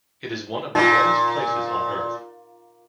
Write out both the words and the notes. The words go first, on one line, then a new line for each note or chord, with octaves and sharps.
It is one of the wettest places on earth.
A#2 D#4 F4